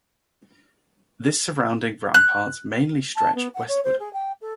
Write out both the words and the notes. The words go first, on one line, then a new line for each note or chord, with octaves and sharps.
This surrounding rampart mainly stretched westward.
F#6
A5
B3
F#5
C#5
C5
G#4
G5
A4